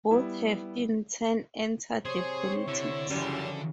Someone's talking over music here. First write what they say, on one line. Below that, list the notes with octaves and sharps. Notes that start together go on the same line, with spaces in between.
Both have in turn entered the politics.
G3 B3 E4
C3 G#4 C5 C#5
D3 E4
F#2 C#3 E3 F3 G3